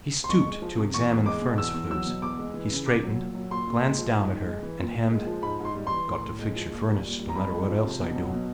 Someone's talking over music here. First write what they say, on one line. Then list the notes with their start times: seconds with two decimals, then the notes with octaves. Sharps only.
He stooped to examine the furnace flues; he straightened, glanced down at her, and hemmed, "Got to fix your furnace, no matter what else I do."
0.24 C6
0.29 F2 C#6
0.47 G#3
0.62 F3
0.78 C3
0.94 E2 C#6
1.11 E2
1.26 G#3 D6
1.42 B2
1.58 E2 E6
1.74 E2
1.90 F#3 E6
2.07 B2
2.22 E2 D6
2.39 G#3
2.54 E3
2.71 C#3
2.86 A#2 D6
3.03 F#3
3.19 A#2
3.35 F#3
3.50 A#2 C6
3.67 A#2
3.82 G#3
3.98 F3
4.16 G#2
4.30 G#2
4.47 G#3
4.63 E3
4.80 A#2
4.95 A#2
5.11 G#3
5.27 F3
5.43 G#2 B5
5.60 G#2 C6
5.75 G3
5.87 E3 C6
6.08 A2
6.24 A2
6.39 G#3
6.56 F3
6.71 A#2
6.88 G3
7.04 A#2
7.20 G3
7.29 A#5
7.35 F2 B5
7.52 G#3
7.67 F3
7.85 C3
8.00 B2
8.16 F#3
8.33 B2